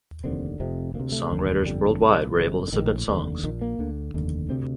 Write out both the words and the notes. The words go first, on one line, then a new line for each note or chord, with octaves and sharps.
Songwriters worldwide were able to submit songs.
F1 D#2 D3 C4
F1 F2 C3
D2 A#3
C3
A3
F1 D#2 D3
G1 F2 D3 G3
C2 A#2
G1 F2 C3
D3
A#1 A2 D#3
F1 D#2 D3
A#1 A#2 D#3
A#3
D2 D3
F1 D#2 D3
D2 C3 C4